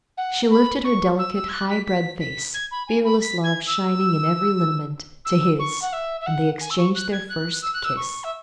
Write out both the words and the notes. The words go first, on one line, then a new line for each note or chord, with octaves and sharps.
She lifted her delicate, high-bred face, fearless love shining in every lineament, to his, and they exchanged their first kiss.
F#5
B5
C#6
E6
E6
G#6
F#6
B6
B6
B6
G#6
B5
G#5
B5
B6
G#6
E6
E6
C#6
F#5
E5
E5
F#5
G#5
E6
C#6
F#6
G#6
F#6
E6
F#6
E6
C#6
E5